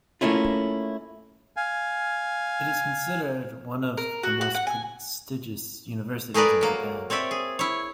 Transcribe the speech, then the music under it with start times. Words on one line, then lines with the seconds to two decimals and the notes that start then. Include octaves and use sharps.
It is considered one of the most prestigious universities in Japan.
0.21 A3 A#3 C#4 E4 F4
1.57 F5 G#5
3.97 A#4
4.23 F#4
4.41 F#4
4.55 F#5
4.67 G#5
6.34 A3 G#4 A#4 B4 D5
6.61 F#3 A#3
7.10 C4 C#5 D5 E5
7.31 G#4
7.59 E4 C#5